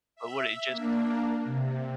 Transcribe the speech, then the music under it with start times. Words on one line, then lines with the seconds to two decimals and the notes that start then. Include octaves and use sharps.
but would it just
0.16 E5
0.70 A#3 D4
1.45 C3